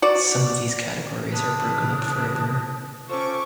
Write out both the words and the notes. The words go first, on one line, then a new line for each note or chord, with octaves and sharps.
Some of these categories are broken up further.
F#4 D5
C#3 E3 D4 B4 A5 D#6
C#4 F4 A4 C5 C#6 D6